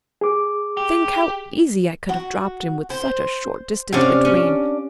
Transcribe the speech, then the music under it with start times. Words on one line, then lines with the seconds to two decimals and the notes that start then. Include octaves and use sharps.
Think how easy I could have dropped him, with such a short distance between.
0.21 G#4 D6
0.77 G4
2.09 F#4
2.90 C5
3.93 C3 C#4 D4 D5 F5
4.25 C#4